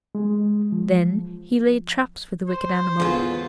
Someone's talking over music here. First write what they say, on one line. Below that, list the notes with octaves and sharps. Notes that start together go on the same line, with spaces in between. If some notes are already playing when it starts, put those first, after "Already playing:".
Then he laid traps for the wicked animal.
G#3
F3
C5
E2 D3 A#3 B3 F4 G#4 C#5